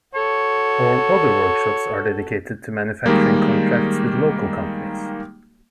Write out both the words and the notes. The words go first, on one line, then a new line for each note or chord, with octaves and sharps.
All other workshops are dedicated to manufacturing contracts with local companies.
F#4 A4 C#5
D#3 G3 G#3 A#3